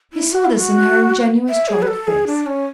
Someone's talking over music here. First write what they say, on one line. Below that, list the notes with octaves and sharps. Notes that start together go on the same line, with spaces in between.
He saw this in her ingenuous troubled face.
E4
F#4
E4
F#4
E5
G#4
B4
A4
G#4
D4
C#4